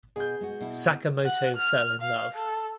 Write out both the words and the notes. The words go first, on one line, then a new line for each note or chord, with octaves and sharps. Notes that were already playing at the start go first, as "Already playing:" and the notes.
Sakamoto fell in love.
B2 G#4 G6
G#3 F#4
B2 E4
F#5
F6
F5
A4